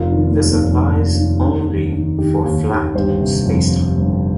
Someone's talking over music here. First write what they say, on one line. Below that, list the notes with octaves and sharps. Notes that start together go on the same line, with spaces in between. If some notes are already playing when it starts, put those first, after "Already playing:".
This applies only for flat spacetime.
Already playing: F1 F4 A#4
D#3
D#2
F1
F1
D#3
D#2
D#2
D#3
D#3 G4
D#2
D#2
G1 G4 C5
C3
F2
G1
G1